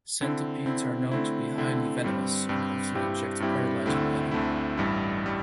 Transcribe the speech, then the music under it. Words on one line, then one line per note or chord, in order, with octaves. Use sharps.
Centipedes are known to be highly venomous, and often inject paralyzing venom.
D3 C4 E4
D3 C4 E4
D3 A3 C4 E4
D3 A3 C4 E4
G2 G3 C4
G2 G3 C4
G2 G3 C4 E4 G4
G2 G3 C4 E4 G4
D2 D3 A3 C4 E4
D2 D3 A3 C4 E4
A1 G2 G3 E4
G3